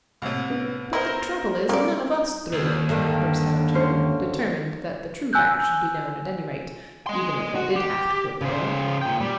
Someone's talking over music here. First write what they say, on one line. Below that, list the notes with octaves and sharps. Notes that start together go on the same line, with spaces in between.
"But the trouble is, none of us threw it!" burst out Jerry, determined that the true facts should be known at any rate, even if they did have to foot the bill.
C2 A2
B3
D#4 E4 A#4 C5
G3 A#3 A4 D5
D#2
G2 D3 D#3
C#4 C5
G#5 E6 F#6 G6
D#5 C6
F#4
G4
C#3 C5
A#2 G5
G3